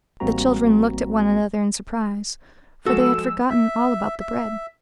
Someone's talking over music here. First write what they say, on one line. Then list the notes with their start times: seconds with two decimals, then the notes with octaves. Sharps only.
The children looked at one another in surprise, for they had forgotten all about the bread.
0.20 A1 G3 A#3 C4 F#4 A#5
2.86 F3 G#3 F#4 A4 E6
3.50 E5
4.20 E5